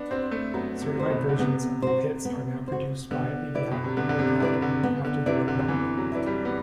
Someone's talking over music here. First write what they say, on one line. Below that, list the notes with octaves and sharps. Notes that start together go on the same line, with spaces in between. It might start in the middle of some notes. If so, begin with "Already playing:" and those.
Certified versions of the Pitts are now produced by Aviat Aircraft in Afton, Wyoming.
Already playing: B3 D4
C4 F#4 C5
A3
F#3 B3
C3
F#4 C5
B2
D3
C3 B3
F#4 C5
B3
F#4 C5
D3 B3
E4 B4 D5
B2
C3
D3 B3
D3
C3
C3 E4 B4 D5
D3
B3
D3
C3 E4 B4 D5
D3
E3 B3
F#3
E4 B4 D5
G3
B3